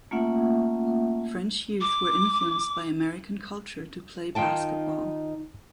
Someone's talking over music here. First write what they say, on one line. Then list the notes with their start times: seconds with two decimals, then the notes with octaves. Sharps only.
French youth were influenced by American culture to play basketball.
0.11 A3 A#3 C#4 F4 E5 F#5
1.81 D6
4.35 D#3 D#4 F4 G5 A5